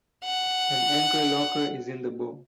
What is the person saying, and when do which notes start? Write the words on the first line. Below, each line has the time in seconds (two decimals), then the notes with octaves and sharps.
An anchor locker is in the bow.
0.25 F#5